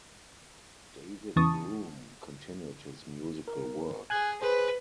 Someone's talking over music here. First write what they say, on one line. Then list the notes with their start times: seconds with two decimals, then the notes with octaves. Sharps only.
David Broom continued his musical work.
1.36 E2 C#3 E3 A5 C#6 D#6
3.48 A#4
4.10 G#4 G#5 F#6 G#6
4.42 G#4 B4 C5